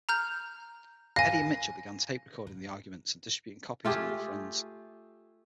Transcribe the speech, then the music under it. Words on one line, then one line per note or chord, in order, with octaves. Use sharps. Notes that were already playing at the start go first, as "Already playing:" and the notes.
Eddie and Mitchell began tape recording the arguments, and distributing copies among their friends.
A#5 F6 G6
F5 G#5 A#6
A3 F4 G4 G#4